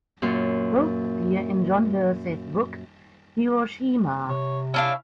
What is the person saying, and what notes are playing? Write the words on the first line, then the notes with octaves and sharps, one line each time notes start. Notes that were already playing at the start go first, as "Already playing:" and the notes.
Both appear in John Hersey's book, "Hiroshima".
F#2 A#2 C6
C3 C#5
C#4 D4 E4 F5